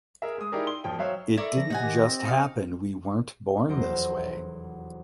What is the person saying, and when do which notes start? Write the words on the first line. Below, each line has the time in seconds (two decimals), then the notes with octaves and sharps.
It didn’t just happen. We weren’t born this way.
0.22 G#4 A#4 E5
0.38 G#3 D#6
0.52 D#4 E4 G4 G#4 A#4 D5
0.67 C6 G7
0.84 E1 F3 G5
0.99 F#3 C5 C#5 E5 F5
1.37 E4 A4 A#4 D5 C#6
1.57 F3 A#6
1.70 A2 C3 D#4 F#5 G#5
1.83 D#3 G4
2.07 C4
2.25 D#4 F5
3.68 F1 E2 F#3 C5 A#6 D7